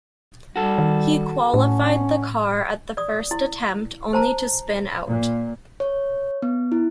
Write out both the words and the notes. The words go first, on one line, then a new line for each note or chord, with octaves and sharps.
He qualified the car at the first attempt, only to spin out.
G3 F#4 A4
D#3
A2 C#4
D5 D#6
E4
C5 A5 A#5
A#2
C#5
B3
E4